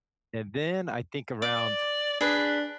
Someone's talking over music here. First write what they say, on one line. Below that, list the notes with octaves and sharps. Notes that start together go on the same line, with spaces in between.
and then I think around
D5 D6
D4 G#4 B4